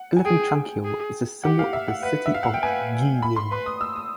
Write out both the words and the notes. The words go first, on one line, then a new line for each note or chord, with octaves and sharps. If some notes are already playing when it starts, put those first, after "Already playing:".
Elephant Trunk Hill is the symbol of the city of Guilin.
Already playing: F#5
G#5
G#4 G5
G#4
G4 F#5
F5
E5
F#5
B4 F#5
E5
F5
F#5
G5
B4 G#5
B5
C6
B4 C6
D#6
E6
D#6